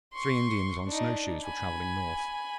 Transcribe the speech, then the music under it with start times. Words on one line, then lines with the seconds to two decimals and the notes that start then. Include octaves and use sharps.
Three Indians on snow-shoes were traveling north.
0.14 C6 C#6
0.86 D4 D#4
1.43 G#5 B5